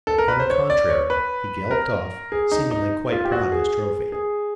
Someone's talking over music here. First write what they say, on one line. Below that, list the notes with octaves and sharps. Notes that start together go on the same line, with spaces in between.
On the contrary, he galloped off; seemingly, quite proud of his trophy.
A4
A#4
B4
C5
C#5
D5
C#5
B4
A#4
G#4
D#4
D#4
F4
G4
F#4
G#4
G#4